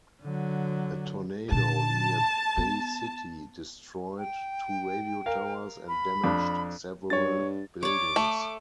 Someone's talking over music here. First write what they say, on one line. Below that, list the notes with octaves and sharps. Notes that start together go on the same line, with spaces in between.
A tornado near Bay City destroyed two radio towers and damaged several buildings.
D3 F#3
A#2 D3 A5
B3
G5
A#4 F5
B5
F2 D4
G2 C#5 A6
C#5 D5 D6
A3